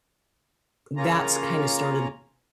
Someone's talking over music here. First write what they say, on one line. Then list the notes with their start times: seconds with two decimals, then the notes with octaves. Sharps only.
that's kinda started,
0.97 C#3 A#3 C#4 F4 A#5